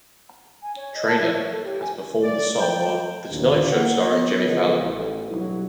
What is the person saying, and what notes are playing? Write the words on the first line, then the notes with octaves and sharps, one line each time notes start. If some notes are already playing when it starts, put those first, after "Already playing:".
Trainor has performed the song on "The Tonight Show Starring Jimmy Fallon".
G#5
C#5
D#5
A5
E4
C#5
A4
G4
G#5
D5
G5
A#1 D#2
A#3 F#5
B3 C#5
C#2 E3 F3 B3 D#5
A1
B1 G2 F#3 D#4 E4 G4